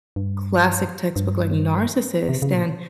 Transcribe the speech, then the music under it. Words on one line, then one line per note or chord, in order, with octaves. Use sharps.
classic textbook, like, narcissist, and,
G2
G2
C3
C#3
A#2